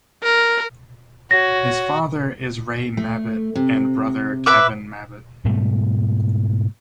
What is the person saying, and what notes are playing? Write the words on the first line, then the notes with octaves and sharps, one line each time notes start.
His father is Ray Mabbutt and brother Kevin Mabbutt.
A#4
F#4 C#5 A#6
A3
C3
B4 E5 D6
G#2 B2 G3 A3